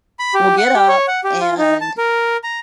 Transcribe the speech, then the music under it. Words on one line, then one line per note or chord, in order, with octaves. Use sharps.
will get up and
B5
G4
F#5
G4
C#5
F#5
G4
F4
D#4
A5
A#4
A#5